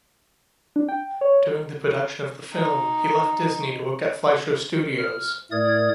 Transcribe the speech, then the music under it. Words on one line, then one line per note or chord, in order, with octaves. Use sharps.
During the production of the film he left Disney to work at Fleischer Studios.
D4
G5
C#5
D#4
F6
A2 A3 A#4 D5 D#6 G#6